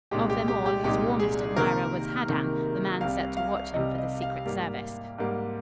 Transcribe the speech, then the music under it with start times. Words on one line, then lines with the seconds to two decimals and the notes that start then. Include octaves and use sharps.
Of them all, his warmest admirer was Haddan, the man set to watch him for the secret service.
0.11 C2 A#2 G#3 D#4 G4
0.30 G4
0.48 G4
0.66 G4
0.84 C2 A#2 G#3 D#4 G4
1.20 G#4
1.56 C3 D#3 A#3 A#4
2.28 C3 D#3 A#3
3.01 C2 C3 G3 F5
3.37 F5
3.73 C2 C3 G3 D#5
3.98 D#5
4.22 F5
4.46 G#2 G3 A#3
5.18 G#2 G3 A#3